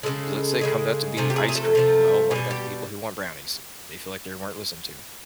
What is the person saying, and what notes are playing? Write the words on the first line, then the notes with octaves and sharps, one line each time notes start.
Let's say it comes out to be ice cream. Well, what about the people who want brownies? They feel like they weren't listened to.
C#3 E3 G#3 A4
C#3 E3 G#3
C3 F3 A3 G#4
G4
G#4
G#4
A4
C3 F3 A3
B2 G3 G#4
G4